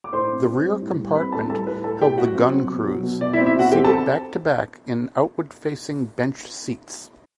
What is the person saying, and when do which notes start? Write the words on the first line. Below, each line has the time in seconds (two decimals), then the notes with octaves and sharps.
The rear compartment held the gun crews, seated back-to-back in outward-facing bench seats.
0.04 D6
0.13 A2 C5 C6
0.30 C4
0.47 C4
0.64 G3
0.82 A2
0.99 G3
1.15 C4 B4 B5
1.32 A2 A4 A5
1.49 G3 A4 A5
1.67 A2 B4 B5
1.84 A2 A4 A5
2.01 A2 G4 G5
2.18 F#3 F#4 F#5
2.35 C4
2.52 F#3
2.69 B2
2.87 F#3
3.03 B2
3.21 B2 D5
3.33 E4 E5
3.38 C4
3.46 E4 E5
3.55 B2 F#4 F#5
3.72 C4 G4 G5
3.84 A4 A5